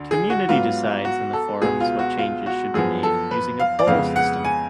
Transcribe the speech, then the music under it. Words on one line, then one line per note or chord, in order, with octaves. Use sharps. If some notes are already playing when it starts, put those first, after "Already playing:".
Community decides in the Forums what changes should be made, using a poll system.
Already playing: D2 D3
G#4
F#4
G#2 F#3 B3 F4
F#4
A4
C#2 B2 G#3 B3 G#4
F4
F#4
F4
F#4
F#2 F3 B3 G#4
A4
B4
F5
D5
F2 C#3 G#3 B3 F5
F#5
G#5